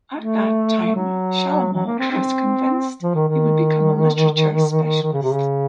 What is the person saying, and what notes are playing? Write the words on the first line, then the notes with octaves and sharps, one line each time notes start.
At that time Shalamov was convinced that he would become a literature specialist.
A3
F#3
F#3
A#3
C4
C4
F3
D#3
D#3
D#3
D#3
C#3
C3
C#3